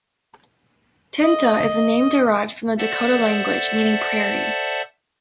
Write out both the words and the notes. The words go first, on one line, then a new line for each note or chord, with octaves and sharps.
Tintah is a name derived from the Dakota language meaning "prairie".
D#5
A4 C5 D5 E5 F#5 A5